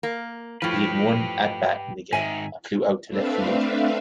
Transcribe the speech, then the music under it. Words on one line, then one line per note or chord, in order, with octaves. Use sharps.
He had one at-bat in the game, and flew out to left field.
A#3
A2 F3 G4 B4
G#2 D#3 E5 G#5
A3 C4 D4 B4 E5 F5